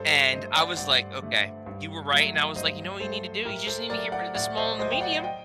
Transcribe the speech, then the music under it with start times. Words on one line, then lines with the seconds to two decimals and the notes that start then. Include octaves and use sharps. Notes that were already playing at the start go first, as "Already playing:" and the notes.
and I was, like, "Okay, you were right." And I was, like, "You know what you need to do? You just need to get rid of the small and the medium.
Already playing: G2 A4 C5
0.33 D3 A3 C5 D#5
0.55 D5 F#5
0.77 G2 D5 F#5
1.22 D3 A3
1.66 G2
2.11 F#3 A3
2.56 G2 C5 D#5
3.00 F#3 A3 A4 C5
3.45 A2 G4 A#4
3.67 A4 C5
3.90 F#3 A3 A#4 D5
4.12 D5 F#5
4.35 A2 D5 F#5
4.57 C5 D#5
4.79 F#3 A3 C5 D#5
4.92 G5
5.01 D5 F#5
5.23 D#5 G5